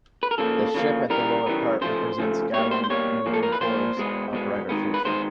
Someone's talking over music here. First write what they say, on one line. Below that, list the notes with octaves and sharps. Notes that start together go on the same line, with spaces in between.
The ship at the lower part represents Gabon moving towards a brighter future.
B4
A#4
C#3 F3 A#3 A4
C#3 F3 A#3
C#3 E3 G3 B3 A#4
C#3 E3 G3 B3
C#3 F3 A3 C5
C#3 F3 A3
B2 G3 A#3 C#5
C5
C5
B2 G3 A#3 C#5
A#2 F3 A#3
A4
A#4
B4
A#2 F3 A#3 C5
B2 G#3 B3
B2 G#3 B3
D#3 G#3 B3
B4
D#3 G#3 B3 C5